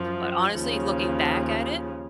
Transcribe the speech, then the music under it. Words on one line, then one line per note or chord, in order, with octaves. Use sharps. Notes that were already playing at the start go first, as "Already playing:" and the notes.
but honestly, looking back at it
Already playing: F#2 F3
D#2 C#3 F3